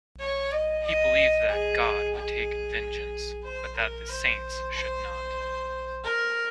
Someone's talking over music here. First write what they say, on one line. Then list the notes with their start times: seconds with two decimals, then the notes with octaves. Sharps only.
He believed that God would take vengeance, but that the saints should not.
0.19 C#5
0.52 D#5
0.84 D#5
1.49 G#4
2.14 G#4
3.44 C5
3.77 A#4
4.09 C5
4.74 C5
6.04 A#4